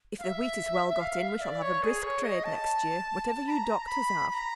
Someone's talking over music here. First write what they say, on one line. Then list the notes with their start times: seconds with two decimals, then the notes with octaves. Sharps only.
If the wheat is well got in, we shall have a brisk trade next year, whatever you doctors have.'
0.19 F5
0.23 E5
0.90 E5
1.00 F5
1.20 E5
1.41 D5
1.62 C#5
1.83 G#4
2.03 C#5
2.23 D#5
2.44 A5
3.47 B5
3.51 A#5
3.87 B5
4.29 B5
4.34 A#5